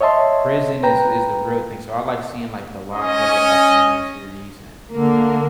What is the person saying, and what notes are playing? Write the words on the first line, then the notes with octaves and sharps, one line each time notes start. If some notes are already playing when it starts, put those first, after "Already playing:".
prison is is the real thing so, I like seeing like the Lockup documentary series and,
C#5 D#5 E5 A5 C6
B4 G5 A#5
C#4 D#5
D3 A#3